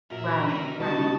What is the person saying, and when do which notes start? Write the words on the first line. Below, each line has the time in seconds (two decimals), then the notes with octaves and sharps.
Right, right.
0.10 F#2 A#2 A#4 E5
0.50 B1 D#3 G3
0.80 C2 B2 G3 D#4 F#4 A5